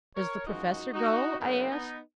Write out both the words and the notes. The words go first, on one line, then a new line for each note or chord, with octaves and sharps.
"Does the professor go?" I asked.
A#4 C#5
F#2 F3 G#3 D#4 F#4
D#4 F#4
F#2 C#3 F#3 A#3 B3 D#4
B3 D#4